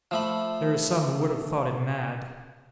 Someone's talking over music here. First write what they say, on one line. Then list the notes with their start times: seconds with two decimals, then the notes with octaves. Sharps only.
There are some who would have thought him mad.
0.11 F3 A3 B5